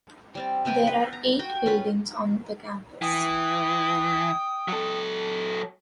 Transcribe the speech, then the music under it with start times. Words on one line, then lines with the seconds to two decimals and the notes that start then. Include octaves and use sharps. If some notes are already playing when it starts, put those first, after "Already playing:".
There are eight buildings on the campus.
0.35 G3 C4 D5
0.65 C3 B3 G5 G#5
0.87 B4
1.13 A#5
1.39 F#4 G5
1.66 C#4 F4 B4 B5
3.02 E3 G5 D#6
4.68 F#3 A4